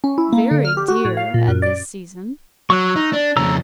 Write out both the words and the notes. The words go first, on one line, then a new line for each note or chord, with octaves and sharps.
"Very dear at this season."
C#4
E4
A#3
D3
F6
G4
F#4
A2
F5
A#2
F#2
D5
F#3 C#6 E6 F#6
D#4
D4
F2 C#3 A#5 E6